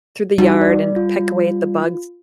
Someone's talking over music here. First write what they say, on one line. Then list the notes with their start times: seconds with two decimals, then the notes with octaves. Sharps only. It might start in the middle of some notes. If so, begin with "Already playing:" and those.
through the yard and peck away at the bugs
0.38 G3 D#4 F#4 F#5
0.61 D5
0.96 F4